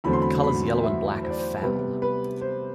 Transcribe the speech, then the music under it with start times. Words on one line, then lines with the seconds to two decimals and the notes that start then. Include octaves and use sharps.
The colours yellow and black are foul.
0.04 E2 D3 F#3 A3 C4 B5
0.13 C6
0.22 B5
0.44 B5
0.83 E5
1.23 C5
1.30 D5
1.39 C5
1.62 C3 G3 B3 B4
2.02 B4
2.41 C5